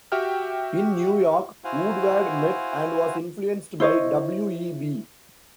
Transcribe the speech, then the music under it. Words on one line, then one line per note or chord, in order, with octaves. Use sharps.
In New York, Woodward met, and was influenced by, W. E. B.
F#4 G4 E5 G5 F6
E4 F#4 C5 F5 F#5 G#5
E4 C5 C#5 D#5